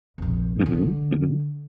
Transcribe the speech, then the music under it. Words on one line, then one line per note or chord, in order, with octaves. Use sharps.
Mhm. Mhm.
F1 A#1
D3 G#3